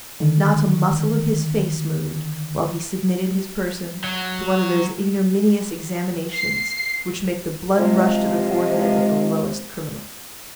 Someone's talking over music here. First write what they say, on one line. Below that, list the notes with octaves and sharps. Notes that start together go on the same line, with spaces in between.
Not a muscle of his face moved while he submitted his person to one of those ignominous examinations which make the blood rush to the forehead of the lowest criminal.
D3 D#3
F#3
C7
C3 F3 G#3